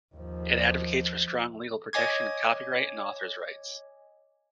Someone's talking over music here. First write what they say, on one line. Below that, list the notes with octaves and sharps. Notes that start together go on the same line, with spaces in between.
It advocates for strong legal protection of copyright and authors' rights.
D#2 F3
C#5 D#5 G#5 D6 G#6